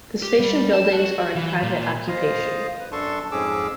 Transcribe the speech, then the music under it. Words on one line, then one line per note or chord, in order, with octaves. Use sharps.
The station buildings are in private occupation.
G4
G3
A5
F#4
E3
A#2
F4 C5 D#5 F5 D#6
B4
F#2 D4 A4 A5 C6 C#6
F2 G#2 C#4 G#4 D6 E6